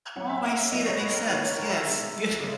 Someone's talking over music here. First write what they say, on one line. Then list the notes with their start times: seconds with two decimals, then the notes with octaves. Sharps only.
Oh, I see, that makes sense. Yes. Yeah.
0.16 F#3 C#4 E4 F#5
0.29 E5
0.44 F#5
0.58 E5
0.72 F#3 B3 E4 D#5
0.86 C#5
1.00 B4
1.14 A#4
1.28 D#3 A#3 C#4 B4
1.42 C#5
1.57 A#4
1.70 E5
1.85 B2 G#3 D#4
2.40 C#3 G#3